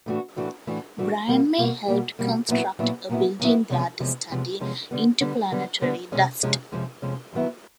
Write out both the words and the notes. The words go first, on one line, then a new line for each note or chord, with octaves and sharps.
Brian May helped construct a building there to study interplanetary dust.
A2 E3 A3 D4 F#4
A2 E3 A3 D4 F#4
A2 E3 A3 D4 F#4
A2 E3 A3 D4 F#4
B2 G3 A#3
B2 G3 A#3
B2 G3 A#3
B2 G3 A#3
A#2 F#3 B3 E4
A#2 F#3 B3 E4
A#2 F#3 B3 E4
A#2 F#3 B3 E4
E2 C3 F3 G#3 C#4
E2 C3 F3 G#3 C#4
E2 C3 F3 G#3 C#4
E2 C3 F3 G#3 C#4
D3 G3 B3
D3 G3 B3
D3 G3 B3
D3 G3 B3
F2 C3 F3 G#3 C#4
F2 C3 F3 G#3 C#4
F2 C3 F3 G#3 C#4
F2 C3 F3 G#3 C#4
F#2 D#3 F#3 B3 E4